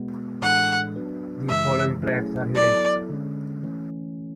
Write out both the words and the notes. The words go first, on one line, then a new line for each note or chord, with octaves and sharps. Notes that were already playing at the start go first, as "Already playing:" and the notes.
The following tracks are hidden.
Already playing: B2 G#3 B3 F#4 B4
A2 E3 G#3 D4 A4 F#5
F#3 B3 D4 F#4 B4
F#2 C#3 E3 G#3 E5
F#3 A3 C#4 E4 G#4
F#3 B3 E4 A4 D5
D3 G#3 C#4
E3 A3 C#4